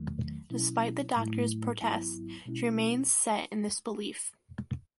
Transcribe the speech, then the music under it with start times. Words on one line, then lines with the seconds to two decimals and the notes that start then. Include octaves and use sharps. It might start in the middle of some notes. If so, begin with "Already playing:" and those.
Despite the Doctor's protests, she remains set in this belief.
Already playing: E2 D#3 F#3 A3
0.50 B2 F#3 C#4 E4
1.16 A2 F#3 A3 E4
1.81 G#1 G#2 F#3 B3 E4
2.46 B2 G#3 C#4 E4